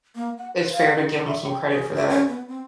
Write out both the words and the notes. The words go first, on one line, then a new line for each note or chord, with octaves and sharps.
it's fair to give 'em some credit for that.
A#3
F#5
B4
F5
D#4
E5
G5
G#4
E5
C#4
B3
C4